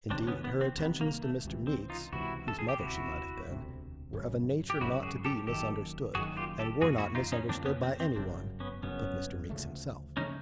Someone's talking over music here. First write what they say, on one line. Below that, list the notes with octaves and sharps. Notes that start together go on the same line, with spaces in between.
Indeed, her attentions to Mr. Meeks, whose mother she might have been, were of a nature not to be misunderstood, and were not misunderstood by anyone but Mr. Meeks himself.
C2 C3 D#3 C4 D4
B3 C#4
B3
C4
C2 C3 D#3 B3
A#3
A3
C#2 C3 E3
C4
D#4 F4
C#2 C3 E3 E4 F#4
A4
G#4
G4
E1 D2 C3 E4 F#4
E1 D2 C3
G#1 F#2 C#3
G4
G#1 F#2 C#3 E4 F#4
F#4 G#4
G4 A4
F#1 F#2 D#3 G4 A4
F#1 F#2 D#3 F#4 G#4
F4 G4
G4 A4
F2 D3 F3 A#3 F#4 G#4
E4 F#4
D#4 F4
C#4 D#4
F2 D3 F3 A#3 C4 D4
B3 C#4
C4
C4
G1 F#2 C#3 C4 D4
B3 C#4
G1 F#2 C#3 B3 C#4
D2 C#3 F3 A3
C#3 F3 A3 C#4 D#4